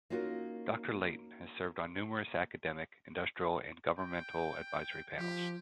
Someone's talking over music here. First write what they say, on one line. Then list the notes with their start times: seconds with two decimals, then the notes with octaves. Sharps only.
Doctor Leighton has served on numerous academic, industrial, and governmental advisory panels.
0.10 A#3 C#4 D#4 F4 F#4 A#4
3.98 G5
5.17 F3 G4